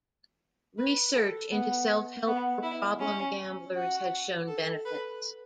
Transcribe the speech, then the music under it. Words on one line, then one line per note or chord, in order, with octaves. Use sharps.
Research into self-help for problem gamblers has shown benefits.
B4
A4
B3
B3
E4
C#4
F#4
A4
B4